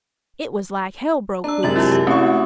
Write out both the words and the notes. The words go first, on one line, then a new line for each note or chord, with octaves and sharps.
It was like hell broke loose.
D4 A#5 E6
F#2 C3 G#3 A6 F#7
E4 F4 G4
G4
A3 C4 C#4 E4 F#4 C#6